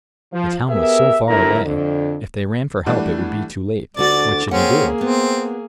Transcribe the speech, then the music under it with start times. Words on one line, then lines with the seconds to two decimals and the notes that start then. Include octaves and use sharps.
The town was so far away--if they ran for help it would be too late; what should he do?
0.33 F3
0.69 B3 G4 G#4 A#4 E5
1.28 G1 A2 D3 E4 A#4 A#5
1.65 F2 D3
2.86 E3 G3 A3 D4 F#4
3.97 D2 D3 F#4 D5 D6 A6
4.51 A#3 C4 C#4 G#4 F#5
5.01 B3 C4